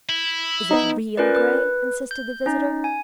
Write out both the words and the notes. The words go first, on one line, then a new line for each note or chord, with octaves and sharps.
"Is it real grey?" insisted the visitor.
E4
B3 D#4
C#4 F4 A#4 B4 D5
B4
G6
C#4 D#4
G#5